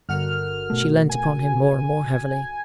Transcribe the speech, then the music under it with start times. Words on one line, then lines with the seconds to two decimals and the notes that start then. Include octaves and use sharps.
She leant upon him more and more heavily.
0.09 G1 D3 F#4 A#4 F#5 F6
0.70 B2 A3
1.10 G#5